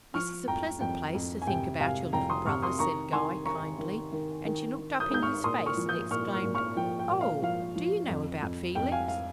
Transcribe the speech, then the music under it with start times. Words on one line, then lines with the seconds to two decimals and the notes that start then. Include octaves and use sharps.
'This is a pleasant place to think about your little brother,' said Guy, kindly; and she looked up in his face, and exclaimed, 'Oh! do you know about Felix?'
0.14 F3 C#6 F6
0.47 F2 G5 A#5
0.81 F2 G5
1.15 F2
1.42 G#5
1.47 C3 G5
1.80 C3 F5 G#5
2.13 F2 G5 A#5
2.30 C6 D#6
2.46 C3 C#6 F6
2.62 C6 D#6
2.79 D#3 A#5 C#6
3.12 D#3 G#5 C6
3.46 D#3 A#5 C#6
3.79 D#3
4.13 D#3
4.45 D#3
4.78 D#3
5.00 D#6 G6
5.11 G#2 G6
5.22 C#6 F6
5.44 A#2 C6 D#6
5.66 C#6 F6
5.77 F3
5.89 D#6 G6
6.11 A#2 C#6 F6
6.33 C#6 F6
6.44 A#2
6.55 C#6 F6
6.77 F3 G5
6.99 G5
7.10 A#2
7.21 F5
7.43 F3 F5
7.76 F3
8.09 F2
8.42 F2
8.75 F2 G5
8.92 F5 G#5
9.08 F5